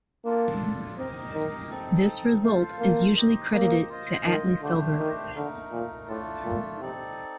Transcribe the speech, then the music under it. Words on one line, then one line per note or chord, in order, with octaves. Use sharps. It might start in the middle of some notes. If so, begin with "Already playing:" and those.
This result is usually credited to Atle Selberg.
A#3 D4 F4 A4
C4 D#4 G4 A#4 D#5
D#3
C4 D#4 A4
A3 F4 A4 C5 F5
A#3
D#4 G4 C5 D#5
A#3
F4 C5 D#5
D#3
D3 A3 D4 G4 C5
D#3
D3 A3 D#4 A#4
A#2
A2 A3 D4 F4 A4
A#2
C3 C4 D#4 A4 D5